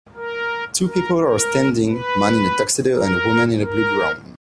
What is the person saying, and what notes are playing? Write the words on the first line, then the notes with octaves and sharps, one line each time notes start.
Two people are standing, man in a tuxedo and women in a blue gown.
A#4
A#4
A#4
B4
A#4
A#4